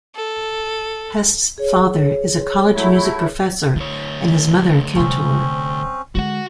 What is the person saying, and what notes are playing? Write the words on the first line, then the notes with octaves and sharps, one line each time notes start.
Hest's father is a college music professor and his mother a cantor.
A4
G#4 C#5
F#3 A3 E4
D2 E4 C#5
C3 G3 C4 C#4
D3 G#3 F#4 F#5